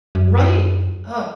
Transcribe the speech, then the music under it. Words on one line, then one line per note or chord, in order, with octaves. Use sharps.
Right. Ugh.
F#2